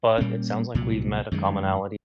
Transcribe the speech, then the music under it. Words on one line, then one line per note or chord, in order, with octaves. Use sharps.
but it sounds like we've met a commonality.
A#2 G3 A#3 C#4
C2 A#2 F#3
F#2 D#3 G#3